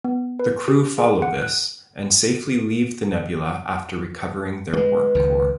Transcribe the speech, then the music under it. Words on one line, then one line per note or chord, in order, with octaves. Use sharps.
The crew follow this, and safely leave the nebula after recovering their warp core.
B3
B4
G4
G#4
F#5
F#6
G#3 A3 B4
C#2 D#3